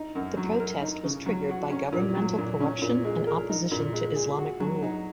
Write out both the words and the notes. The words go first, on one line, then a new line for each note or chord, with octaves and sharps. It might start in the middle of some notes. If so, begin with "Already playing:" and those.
The protest was triggered by governmental corruption and opposition to Islamic rule.
Already playing: D#4
F#2
F#3
A#4
D#4
C#3
F#3
F#4
C#4
A#2
F#3
A#2
C#4
A#2
G#3
A#4
D#4
A#2
G#3
G#4
F#4
F#3
D#4